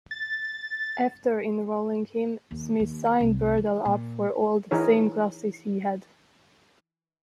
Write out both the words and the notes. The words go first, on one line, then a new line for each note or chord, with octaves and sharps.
After enrolling him, Smith signed Burdell up for all the same classes he had.
A6
D#2
D#2
C2
E3
A#2
E3 D#4 G#4 A#4 C#5